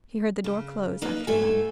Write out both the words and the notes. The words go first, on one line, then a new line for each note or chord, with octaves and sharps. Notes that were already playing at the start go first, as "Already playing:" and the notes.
He heard the door close after them.
C#3
A#3 D#4 B4 D#5
G#2 A3 A4 E5 G#5